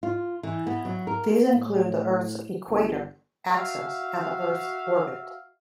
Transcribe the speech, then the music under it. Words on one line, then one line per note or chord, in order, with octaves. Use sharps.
These include the Earth's equator, axis, and the Earth's orbit.
F4
E3
B3
F#3
A#4
A2
G1
F#4 E5 F5